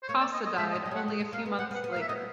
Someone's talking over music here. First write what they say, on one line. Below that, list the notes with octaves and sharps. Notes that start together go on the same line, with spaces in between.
Cossa died only a few months later.
C5
A#3 C#5
D5
D#5
D#5
G#3 E5
D#5
G3
F#3 D#5
G3 F#5
A3
G#3
A#3 F5
B3
C4 F#5
B3 F#5
B3
F5
A#3 E5
B3 D#5